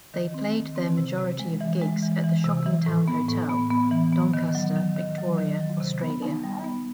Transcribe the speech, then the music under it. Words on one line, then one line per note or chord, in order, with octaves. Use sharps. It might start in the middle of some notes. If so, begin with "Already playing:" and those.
They played their majority of gigs at the Shoppingtown Hotel, Doncaster, Victoria, Australia.
D#3
C4
D#3
C4
C3
C3
G#3
E3
G#3
E3
E3
C3
E3
A2
B3
A2
B3
B3
E3
B3
D#3
F#3
D#3
D#3
F#3
D#3
F#3
C3
B3
D#4
G3
B3